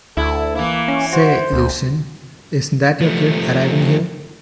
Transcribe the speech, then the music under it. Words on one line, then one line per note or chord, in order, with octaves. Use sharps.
Say, Lucien, isn’t that your kid arriving here?
D2 E4 A4
E3 A#3 E4
C#4
F#4 C5
D2
F3 A3